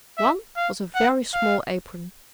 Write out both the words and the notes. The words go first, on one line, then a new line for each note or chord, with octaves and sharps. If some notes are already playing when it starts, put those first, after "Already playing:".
One was a very small apron.
E5
F5
F#5
F5